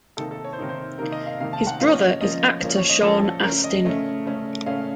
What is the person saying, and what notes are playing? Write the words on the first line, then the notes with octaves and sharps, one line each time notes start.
His brother is actor Sean Astin.
C3 D#3 A#3 D#4 A4
A4
C#5
C5
C3 D#3 A#3 D#4 A#4
C5
C3 D#3 A#3 D#4 A#4
D#5
F5
C3 D#3 A#3 D#4 F5
A5
F#5
F3 A#3 C#4 F5
C#5
D#5
F3 A#3 C#4 D#5
F3 A#3 C#4
C#5
D#5
F3 A#3 C#4 A4
C#3 A3 C#4 A#4
D#5
C#3 A3 C#4
C#3 A3 C#4
C#3 A3 C#4 F5